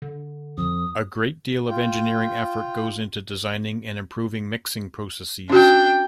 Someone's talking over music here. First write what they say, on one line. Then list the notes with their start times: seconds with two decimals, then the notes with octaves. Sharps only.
A great deal of engineering effort goes into designing and improving mixing processes.
0.02 D3
0.58 F2 D#6
1.69 F4 G5
5.50 C#4 D4 F#4 G5